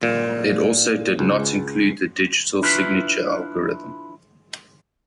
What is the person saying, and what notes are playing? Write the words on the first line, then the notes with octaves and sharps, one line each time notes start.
It also did not include the Digital Signature Algorithm.
A#2
C#2
D4 E4 F4 B4 E5